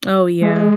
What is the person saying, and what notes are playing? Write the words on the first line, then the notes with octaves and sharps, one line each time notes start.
Oh, yeah.
G#3